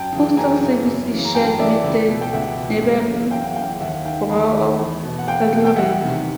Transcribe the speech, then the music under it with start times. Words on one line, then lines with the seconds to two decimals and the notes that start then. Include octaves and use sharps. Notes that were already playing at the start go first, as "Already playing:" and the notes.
Postal service is shared with the neighboring borough of Saddle River.
Already playing: F#2 G5 A5
0.12 C#3 E3
0.37 F#2 G#5 A#5
0.61 C#3 E3
0.86 F#2
1.11 C#3 E3
1.25 A#5
1.35 F#2 G5 A5
1.59 C#3 E3 D5 E5
1.84 C#2
2.09 B2
2.21 G5
2.33 C#2 E5 F#5
2.58 B2
2.82 F#2
3.07 C#3 E3
3.31 F#2 F5 G5
3.45 F#5
3.56 C#3 E3 F5 G5
3.80 D#2 E5 F#5
4.05 D#3 F5 G5
4.29 D#2 A5 B5
4.54 D#3
4.78 E2
5.03 B2
5.18 F#5
5.27 E2 F5 G5
5.52 B2
5.65 G5
5.76 E2 E5 F#5
6.02 C3 D#3